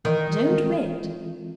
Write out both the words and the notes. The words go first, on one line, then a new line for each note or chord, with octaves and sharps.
Don't wait.
D#3 E3
G#3 C4 F4 A4